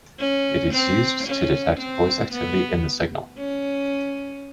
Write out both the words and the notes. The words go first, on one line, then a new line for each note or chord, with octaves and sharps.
It is used to detect voice activity in the signal.
C#4
C4
C#4
C4
B3
C#4